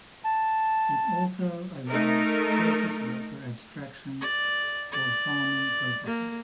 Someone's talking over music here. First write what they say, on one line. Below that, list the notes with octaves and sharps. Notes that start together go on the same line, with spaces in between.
It also allows surface water abstraction for farming purposes.
A5
A3 D#4 A#4
D5
D5
A#3